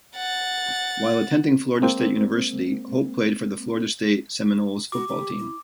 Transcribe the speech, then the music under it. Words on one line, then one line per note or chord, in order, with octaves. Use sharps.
While attending Florida State University, Hope played for the Florida State Seminoles football team.
F#5 A6
G#3 A#3 C4
F#4 D6
G4
E4